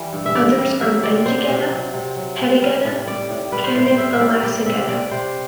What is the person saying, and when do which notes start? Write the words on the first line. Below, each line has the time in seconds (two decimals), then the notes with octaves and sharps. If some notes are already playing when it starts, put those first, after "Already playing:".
Others are Benjigedda, Peddagedda, Kandivalasa gedda.
Already playing: E3 G3
0.13 G2
0.26 E5
0.35 G2 D5
0.58 G3
0.80 F#3 E5
1.03 C3 D5
1.25 F#3 C5
1.49 C3
1.71 F#3
1.94 C3
2.16 F#3
2.39 C3
2.62 G3
2.85 A2
3.07 G3 D5
3.30 A2
3.52 G3 B4
3.64 C5
3.75 A2 C5
3.86 C5
3.98 G3 E5
4.13 E5
4.20 A2 D5
4.43 G3 D5
4.66 C3 E5
4.88 G3 D5
5.11 C3 C5